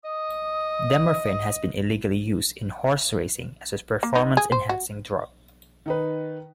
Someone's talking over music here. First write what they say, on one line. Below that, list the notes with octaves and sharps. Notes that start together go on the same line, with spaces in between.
Dermorphin has been illegally used in horse racing as a performance-enhancing drug.
D#5 D#6
A#3
D#4
G#4
C5
F#4
D#3 D#4 B4